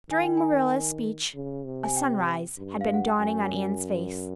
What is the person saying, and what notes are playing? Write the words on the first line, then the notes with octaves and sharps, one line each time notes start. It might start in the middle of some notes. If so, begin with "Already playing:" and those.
During Marilla's speech a sunrise had been dawning on Anne's face.
D#3 G#5
G5
G#5
C#3
C3
G#5
G5
G2
F5
F#5
G5
F#2 G#5